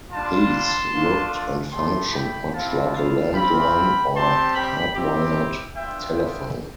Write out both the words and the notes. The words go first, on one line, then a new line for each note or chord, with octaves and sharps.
These looked and functioned much like a landline, or hardwired, telephone.
G3 D4 F4 A5 C6
A3 D4 F4
A3 E4 G4 A5 C6
G5 B5
C4 E4 G4 F5 A5
F5 A5
C4 F4 G5 B5
G3 C4 G4 A5 C6
G5 B5
C4 E4 G4
B3 D4 F4 E5 G5
E5 G5